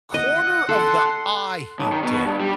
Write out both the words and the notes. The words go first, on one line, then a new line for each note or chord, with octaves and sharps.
Corner of the eye, he did
D#5 F#5
A4 C6
B1
D#3
B2
G2
G3